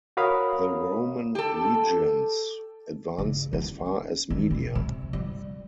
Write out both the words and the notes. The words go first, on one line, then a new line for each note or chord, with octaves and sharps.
The Roman legions advanced as far as Media.
F#4 A#4 C#5 F5 B5 D#6
G4 A4
C#3
C#4
D#3
B2
C3
G3